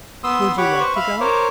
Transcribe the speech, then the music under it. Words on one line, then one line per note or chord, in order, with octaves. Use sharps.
"Would you like to go?"
B3 C6 D#6 E6
G4 C#5 F#5 B5 C#6 D6
B4 C5 C#6
E5 F5 B5
A#4 C5 C#5 D6